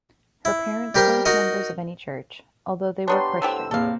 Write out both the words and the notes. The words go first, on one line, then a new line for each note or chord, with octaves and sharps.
Her parents weren't members of any church, although they were Christian.
E4
G3 G4 A#4 C5 G5
D#4 F#4 A#4 D#5
G3 B3 D4 G4 C#5 A#5 C6 C#6
A2 D3 B3 G4 C5 E6
E2 A2 C3 A#3 C4 A4 F5